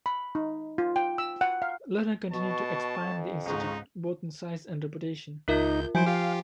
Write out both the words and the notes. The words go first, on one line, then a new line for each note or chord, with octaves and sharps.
Lerner continued to expand the institute, both in size and reputation.
B5
D#4
F4
G5
E6
F#5
F5
B2 A5 C#6
F2
C#2 G#2 D#4 A#5 C#6
C#2 D#4 F4 A#4 E5 G6
F3 F#3 E4 C5 G#5 G6 D7
F4 G4 F5